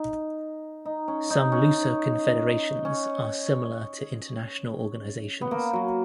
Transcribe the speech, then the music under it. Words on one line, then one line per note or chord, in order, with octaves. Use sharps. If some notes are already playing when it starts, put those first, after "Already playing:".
Some looser confederations are similar to international organisations.
Already playing: D#4
D#4
C#4
D#4
C#4
C#4
B3
A#3
F#3